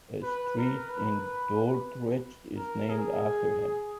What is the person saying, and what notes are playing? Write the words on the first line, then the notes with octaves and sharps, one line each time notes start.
A street in Dordrecht is named after him.
B4
A#4
B4
A#4
G#4